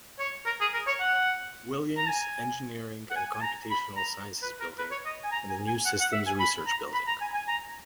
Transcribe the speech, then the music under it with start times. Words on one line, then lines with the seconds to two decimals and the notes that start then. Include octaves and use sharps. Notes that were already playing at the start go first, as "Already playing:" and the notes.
Williams Engineering and Computational Sciences Building, and the new Systems Research Building.
0.19 C#5
0.46 A#4
0.61 G#4
0.74 A#4
0.87 C#5
1.00 F#5
1.97 A#5
2.09 G#5
3.11 F#5
3.16 G#5
3.34 G#5
3.43 A#5
3.70 B5
3.97 A#5
4.42 B4
4.60 A#4
4.78 B4
4.91 C#5
5.05 D#5
5.24 G#5
5.32 A#5
5.49 G#5
5.67 G#5
5.86 F#5
6.00 F#5
6.13 E5
6.27 G#5
6.39 B5
6.67 A#5
6.94 B5
7.07 A#5
7.21 G#5
7.34 G#5
7.48 A#5